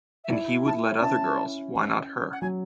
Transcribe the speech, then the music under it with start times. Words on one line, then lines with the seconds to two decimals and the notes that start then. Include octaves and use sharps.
And he would let other girls, why not her?
0.24 E5
0.30 E4 D5
0.66 E4 A5
0.84 G#5
1.01 C#4 A5
2.32 F#5
2.41 F#3 G#5